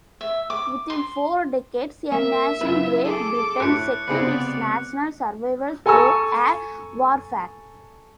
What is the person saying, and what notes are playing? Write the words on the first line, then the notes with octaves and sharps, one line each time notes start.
Within four decades, a nation-Great Britain-secured its national survival through air warfare.
E5
D6
C6
A#3 E5
F#2 C#3 E4 F4 B4
G#4 A4 D6
A2 C#5 F#6 C#7
C#2 C3 B3 C4 G#4 B4 D5
A4 G#5 A#5 C#6 E6